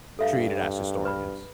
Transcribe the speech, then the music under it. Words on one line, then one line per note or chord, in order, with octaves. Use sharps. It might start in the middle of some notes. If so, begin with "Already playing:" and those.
treated as historians.
G2 A4 E5 F5
B4 B5